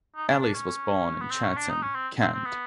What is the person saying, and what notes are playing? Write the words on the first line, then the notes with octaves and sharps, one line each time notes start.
Ellis was born in Chatham, Kent.
D#4
D4
D4
C#4
B3
C4
C#4
D4
D#4
C#4
C4
C4
C4
B3